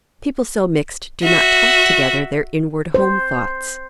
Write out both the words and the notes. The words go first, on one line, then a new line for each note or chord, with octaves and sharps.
People so mixed do not talk together their inward home thoughts.
F#4 E5
C5